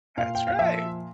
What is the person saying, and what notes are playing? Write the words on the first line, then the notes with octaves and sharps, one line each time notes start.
That's right.
A#2 F5
G5
F5
F3 E5